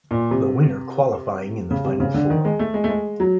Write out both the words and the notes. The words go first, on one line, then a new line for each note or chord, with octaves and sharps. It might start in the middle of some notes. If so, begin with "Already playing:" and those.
The winner qualifying in the final four.
A#2
C3
C#3
C3
C#3
D3
D#3
G#3
A3
G#3
A3
G#3
F#3